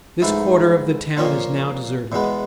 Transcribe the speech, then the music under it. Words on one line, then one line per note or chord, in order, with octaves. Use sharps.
This quarter of the town is now deserted.
G#2 E3 A3
A#2 F3 A#3 C#4
E2 B2 G#3 B3